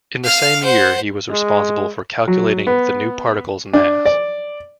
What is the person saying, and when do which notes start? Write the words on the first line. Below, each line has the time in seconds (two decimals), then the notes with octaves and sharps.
In the same year, he was responsible for calculating the new particle's mass.
0.23 F5 F6
0.64 C5 F#5
1.31 G#3
2.28 F#3
2.67 B3
3.73 D4
4.06 D5